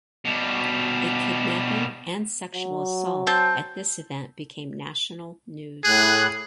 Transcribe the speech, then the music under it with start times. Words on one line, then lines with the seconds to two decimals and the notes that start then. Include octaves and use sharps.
A kidnapping and sexual assault at this event became national news.
0.25 B2 G3
2.55 F#3
3.27 C4 A5 G6
5.85 A2 G#4 F#6